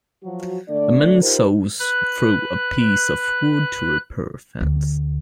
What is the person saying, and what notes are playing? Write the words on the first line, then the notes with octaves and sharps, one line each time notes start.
A man saws through a piece of wood to repair a fence.
F3 F#3 F#4
D3 A3 D4 D5
D#4 F4 G4 A#4 C5
B4 F#6
D2